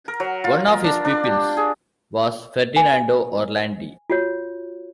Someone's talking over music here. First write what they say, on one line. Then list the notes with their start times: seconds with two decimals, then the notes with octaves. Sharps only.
One of his pupils was Ferdinando Orlandi.
0.08 A#4
0.20 F#3
0.44 F4
0.68 A#4
0.84 D4
1.05 D4
1.24 G4
1.57 G#4
2.76 G#5
4.10 F4 F#4 C#5